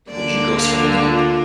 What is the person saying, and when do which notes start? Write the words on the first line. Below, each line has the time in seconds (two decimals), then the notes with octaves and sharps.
would you go swimming in it?
0.11 D2 D3 A#3 D5
0.61 F5
1.11 F4